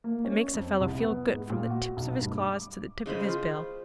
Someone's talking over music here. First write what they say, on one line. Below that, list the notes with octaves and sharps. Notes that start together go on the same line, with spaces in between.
It makes a fellow feel good from the tips of his claws to the tip of his bill.
A#3
C#4
F2
C2
B3
G#2
A#2
F#4
B1
G2
D6
C#3 G#3 C5 B5
F4 C5